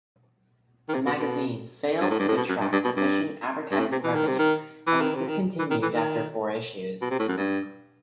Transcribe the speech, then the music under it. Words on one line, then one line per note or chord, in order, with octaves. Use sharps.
The magazine failed to attract sufficient advertising revenue and was discontinued after four issues.
D#3
C3
B2
B2
G2
A2
G2
A2
B2
F#2
G2
G2
B2
G2
G2
A2
C3
E3
D#3
C3
D#3
E3
D#3
C3
D#3
E3
D#3
E3
D#3
B2
C3
A2
F#2
G2